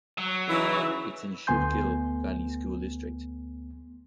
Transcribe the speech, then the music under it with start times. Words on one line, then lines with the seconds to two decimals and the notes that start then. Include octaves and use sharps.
It is in Schuylkill Valley School District.
0.18 F#3
0.49 C#3 E3 D#4 E4 E5
1.47 D2 A3 B3 G#5 C6 G6